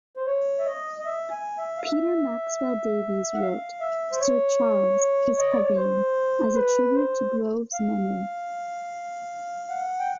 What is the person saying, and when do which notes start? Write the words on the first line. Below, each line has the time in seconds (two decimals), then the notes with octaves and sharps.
Peter Maxwell Davies wrote "Sir Charles: his Pavane" as a tribute to Groves's memory.
0.17 C5
0.27 C#5
0.59 E5
0.66 D#5
0.98 D#5
1.05 E5
1.31 G#5
1.58 E5
1.77 F5
1.84 E5
3.34 F#5
3.41 F5
3.80 E5
4.12 C5
4.20 C#5
5.39 D#5
5.51 D5
5.64 C#5
5.76 C5
6.54 B4
6.95 C5
7.73 F5
9.70 F#5
9.99 G5